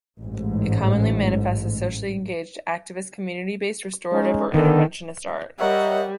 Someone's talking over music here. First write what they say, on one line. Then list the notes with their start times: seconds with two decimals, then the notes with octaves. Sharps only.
It commonly manifests as socially engaged, activist, community-based restorative or interventionist art.
0.20 A1 G#2
4.12 G#3 C#4 D#4
4.54 D3 D#3 B3 A4
5.60 G3 A#4 C#5 D#5 E5 F#5